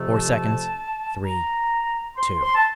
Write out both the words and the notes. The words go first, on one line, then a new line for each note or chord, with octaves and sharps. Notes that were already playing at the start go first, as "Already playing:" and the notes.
Four seconds ... three ... two....
Already playing: F2 C3 F3 A3
A5
A#5
C6
C6
A5